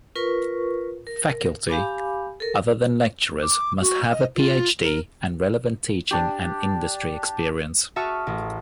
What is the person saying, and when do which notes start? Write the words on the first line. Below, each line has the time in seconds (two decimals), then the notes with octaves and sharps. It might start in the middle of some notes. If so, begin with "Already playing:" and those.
Faculty other than lecturers must have a Ph.D. and relevant teaching and industry experience.
0.16 F4 A#4 B4 C#6
1.07 A#4
1.69 G4 F5 G#5 B5 D6
2.40 A4 A#4
3.42 D6
3.81 F#4
4.11 D#5
4.35 F4
4.82 A#4
6.11 D4 G4
7.96 F#4 E5 A5 C#6 D#6 F6
8.27 A1